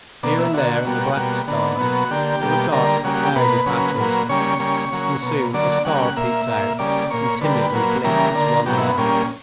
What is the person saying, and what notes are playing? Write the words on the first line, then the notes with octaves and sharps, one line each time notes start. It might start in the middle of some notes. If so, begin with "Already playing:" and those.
Here and there in the black sky there were dark cloudy patches, and soon a star peeped out and timidly blinked its one eye.
B2 A#3 D4
E4
D3 A#3 F#4
B2 G3 A#3
B2 G3 A#3
D3 A#3 B3
B2 F#3 A#3
F#4
D3 A#3 G4
B2 G3 A#3
D3 G3 A#3 A#4
C#3 G3 A#3 F#4
F#4
G4
B2 A#3 B4
C#3 F#3 A#3
A#2 F#3 A#3
C#3 G3 A#3 C#5
C#3 G3 A#3
C#3 F#3 A#3
B2 A#3
D3 F#3 A#3 D5
C#3 G3 A#3 F#5
A#2 A#3 E5
A#2 A#3
C#3 G3 A#3 D5
A#2 A#3 C#5
D3 G3 A#3 B4
A#2 F#3 A#3
C#3 E3 G3 A#3 A#4
D3 A#3
B2 F#3 A#3 G4
E4
B3
A#2 G3 A#3 C#4